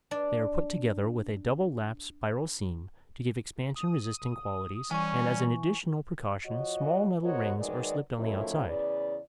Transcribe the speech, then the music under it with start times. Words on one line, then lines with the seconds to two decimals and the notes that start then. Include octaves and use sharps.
They are put together with a double-lapped spiral seam to give expansion-resisting qualities, and as an additional precaution small metal rings are slipped on the outside.
0.11 D4 D5
3.76 D#6
4.91 E3 G3 C#4 G#5 C#6
6.45 F3 F#4 C#5 D#5
7.24 B3 F#4 A#4 C5 C#5 D#5
7.58 D#3 F#3 G#3 B4 D5
8.18 F#2 D#3 F3 A3 E4 C#5
8.67 E2 C#3 B4 D5